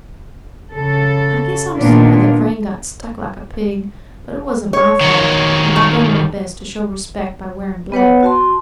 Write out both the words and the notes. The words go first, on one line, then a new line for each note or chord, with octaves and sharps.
I guess I'm sorry that Vrain got stuck like a pig; but it wasn't my fault, and I've done my best to show respect by wearing black.
C#3 A4
A#2 D#3 A#3 B3 D4 F4
C#5
D#3 F#3
A3
B3 B4 C#5 F#5
F#4 A5 C6